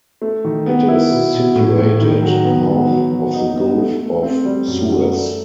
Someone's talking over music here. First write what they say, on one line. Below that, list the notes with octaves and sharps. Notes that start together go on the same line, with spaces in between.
It is situated north of the Gulf of Suez.
A3
D#3
B3
E4
B2
B2
A2
A2
D#3
F#3
B3
B3
F#3
F#3
D#4
B3
A3
A3
C4
G3
F#2
F#3
A3